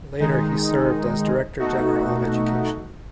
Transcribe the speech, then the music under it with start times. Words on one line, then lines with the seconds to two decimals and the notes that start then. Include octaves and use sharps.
Later he served as Director General of Education.
0.20 D#3 G#3 D#4
1.59 B2 A3 D#4 F#4